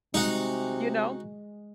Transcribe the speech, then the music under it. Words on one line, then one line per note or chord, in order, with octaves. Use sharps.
you know?
C3 G#3 D#4 F#4